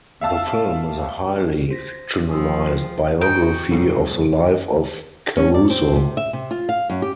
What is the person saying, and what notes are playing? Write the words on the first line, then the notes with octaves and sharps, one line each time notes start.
The film is a highly fictionalized biography of the life of Caruso.
E5 F5 A5 E6
C5 A#6 B6
F3 G#5 D#6 E6
G#4 C5 G5
D#4 F#4 C5 G5
B1 F2 G#2 C3
C#4
D5
C4
C3
E5
C3
F4
F5
F#2
G4